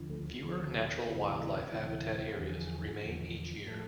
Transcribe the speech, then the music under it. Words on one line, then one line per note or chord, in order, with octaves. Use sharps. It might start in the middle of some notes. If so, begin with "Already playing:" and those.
Fewer natural wildlife habitat areas remain each year.
Already playing: D2 D3 F3
A3
D2 D3 F3 G#3
A3
B3
C4
D2 C3 E3 B3
G#3
A3
D4
D2 C3 E3 E4
E4
E4
E4
E2 D3 F3 G#4
E2 D3 F3
A2 F3 A4